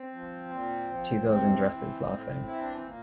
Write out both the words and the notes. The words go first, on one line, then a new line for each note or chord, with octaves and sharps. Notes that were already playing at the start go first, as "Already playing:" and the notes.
Two girls in dresses laughing.
Already playing: C4
F3
A#2
F3
C3 C4
E3
A2
E3 E4
D4
C4
A#2 A#3